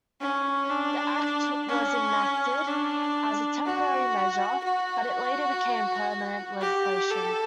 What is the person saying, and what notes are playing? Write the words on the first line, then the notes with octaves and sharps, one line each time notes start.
The act was enacted as a temporary measure, but it later became permanent legislation.
C#4
D4
C#4
D4
F#4
F#4
G4
A4